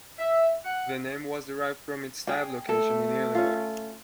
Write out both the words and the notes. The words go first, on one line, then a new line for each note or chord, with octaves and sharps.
The name was derived from its type location in Illinois.
E5
F#5
G#4 G5
A3 A4
C#4 F4